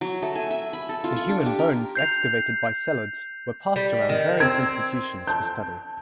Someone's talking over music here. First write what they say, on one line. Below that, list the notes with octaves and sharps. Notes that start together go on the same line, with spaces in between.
The human bones excavated by Sellards were passed around various institutions for study.
F#3
A3
G#5
E5
B5
A4
F4
C#6
D4
G4
A#4
G6 C7 F7
G3
D#3
C4 G#6
A5 G6